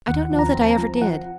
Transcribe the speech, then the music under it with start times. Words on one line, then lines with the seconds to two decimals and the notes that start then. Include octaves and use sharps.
"I don't know that I ever did."
0.08 D#2 F#5
0.32 F3
0.39 A#5
0.55 C4
0.61 A5
0.71 A#5
0.78 F3
1.02 F3 F#5